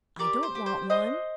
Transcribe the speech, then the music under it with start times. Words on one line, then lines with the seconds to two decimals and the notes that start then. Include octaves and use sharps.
"I don't want one."
0.19 G4 A#4 D5
0.43 C5
0.55 G4
0.66 C5
0.90 D4 C5 D#5